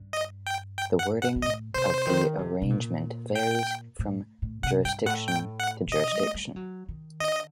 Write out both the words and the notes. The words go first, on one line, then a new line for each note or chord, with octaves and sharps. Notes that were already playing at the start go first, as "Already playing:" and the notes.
The wording of the arraignment varies from jurisdiction to jurisdiction.
Already playing: G2
D#5
G5
G5
F#5
F#5
A#2
A2 D#5
C3 C5
D#3
C3
C3
A#2
G5
A2
A2
C3 F#5
G2 G5
A2 F#5
G5
F#5
C3
A#2 D#5
A3
G3
F#3
D#3
D3 D#5